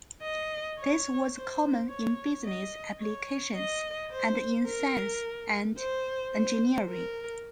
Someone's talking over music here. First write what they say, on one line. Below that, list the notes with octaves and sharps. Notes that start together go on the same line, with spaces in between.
This was common in business applications and in science and engineering.
D#5
C#5
C5
C#5
D#5
C#5
D#5
C5
A#4
C5
C5
A#4